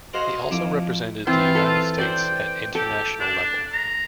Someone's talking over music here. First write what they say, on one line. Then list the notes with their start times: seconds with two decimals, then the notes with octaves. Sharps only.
He also represented the United States at international level.
0.13 F#4 G#4 C5 D#5 F5 F#5
0.51 F2 E4 D6
1.27 E3 C4 F4 C5
1.55 A4
1.98 C5 D5 G5
2.75 G4 A4
3.20 D4
3.72 A#5